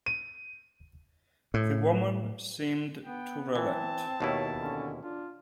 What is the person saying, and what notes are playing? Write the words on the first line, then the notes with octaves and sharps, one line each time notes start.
The woman seemed to relent.
D#7
A2
B3 G5
E3 C4 A5
D#2 B2 E4 C#5
D3 C#4
D4 F4